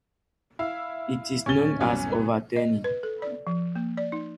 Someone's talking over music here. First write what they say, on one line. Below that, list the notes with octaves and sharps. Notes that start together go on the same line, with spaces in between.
It is known as overturning.
E4 F5
D1 A#2 C#4 C#6 A6 G7
C2 F#2 A2 E3 F#3 B3
D#5
B4
A4
D5
F3
A#3
D5
D#4